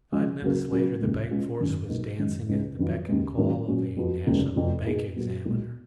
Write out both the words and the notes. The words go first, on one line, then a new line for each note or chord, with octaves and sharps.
Five minutes later the bank force was dancing at the beck and call of a national bank examiner.
C#3 F3 G#3
C#2 C#3 F#3 A#3
C#3 F#3 C#4
F1 D#2 C#3 G#3
B2 G#3 C#4 F4
G#1 F#2 D#3
B1 B2 A#3 D#4
F#2 D#3 G#3
C#2 C#3 G#3 B3 D#4
F2 D#3 F#3 B3 F4
D#2 C#3 G#3
G#2 D#3 F#3 A#3 C#4
A#2 F#3 C#4
F2 F3 B3 F#4
F1 D#2 C#3 G#3 B3
F1 F2 F3 B3
B2 A#3 D#4 G#4
A#2 F#3 B3 F#4
B1 A#2 G#3